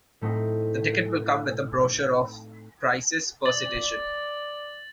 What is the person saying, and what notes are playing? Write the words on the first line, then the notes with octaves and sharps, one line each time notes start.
The ticket will come with a brochure of prices per citation.
A2 A3 C4 D#4
D5 A6 F#7